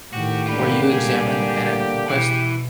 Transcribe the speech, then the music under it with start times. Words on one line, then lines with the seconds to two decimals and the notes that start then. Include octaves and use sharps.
Were you examined at an inquest?
0.13 A2 D#3 F#4 G4
0.46 D3 A#3 D4 F4 B4
0.90 C#2 A#2 G3 G#4
2.09 B2 E3